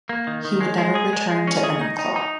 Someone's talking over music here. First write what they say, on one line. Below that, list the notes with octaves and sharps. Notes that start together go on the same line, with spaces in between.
He would never return to Enumclaw.
A#3
D#3
D#3
G#3
G#3
G#4
G#3
G#3
C#4
G#4
D#4
D#4
D#4